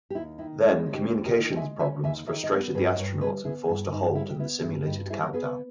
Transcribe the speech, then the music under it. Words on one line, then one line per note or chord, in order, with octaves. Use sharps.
Then, communications problems frustrated the astronauts and forced a hold in the simulated countdown.
G4
D#2 E4
D#3 E4
G#3 D#4
C#4
D#4 G4
D#2
G4 A#4
D#3
G5
G#3 E5 G#5
C#4 E5 G#5
D#2 E5 G#5
D#3 C#5 E5
D#5
B3 A#4 C#5
G2 G#4 B4
D#5
G2 A#4 C#5
G3 G#4 B4
B3 E4 G#4
G2
G2 D#4
G3 E4
G4
B3 E4
G2 E4
G2 D#4 G4
G4
G3 E4 G#4
A#4
B3 G#4 B4